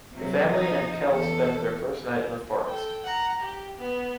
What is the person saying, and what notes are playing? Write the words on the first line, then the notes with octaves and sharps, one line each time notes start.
The family and Kel spend their first night in the forest.
C3 F#3
F3 D#4
E2 A4
A4 G5
F#5 A#5
G4
B3